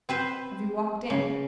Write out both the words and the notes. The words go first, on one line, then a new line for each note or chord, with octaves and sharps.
Have you walked in!...
C4 B4 C5
C#3